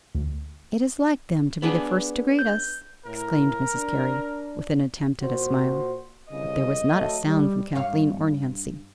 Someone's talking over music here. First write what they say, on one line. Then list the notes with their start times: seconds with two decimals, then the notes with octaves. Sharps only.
"It is like them to be the first to greet us!" exclaimed Mrs. Carey, with an attempt at a smile, but there was not a sound from Kathleen or Nancy.
0.15 D2
1.62 B3 D4 G#4
2.39 G6
3.05 A2 A#4
3.73 D4
5.22 A#2 F#4 C5
6.30 C2 C#3 D#5
6.94 F#3 A3
7.24 G3
7.75 G2 C#5 F5